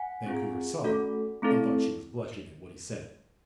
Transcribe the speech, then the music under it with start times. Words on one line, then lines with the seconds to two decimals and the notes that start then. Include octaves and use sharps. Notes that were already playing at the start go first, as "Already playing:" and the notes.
Vancouver saw it, and thought she was blushing at what he said.
Already playing: F#5 G#5
0.26 C4 F4 G#4
0.84 A3 C#4 F#4 A4
1.42 A3 C4 E4 A4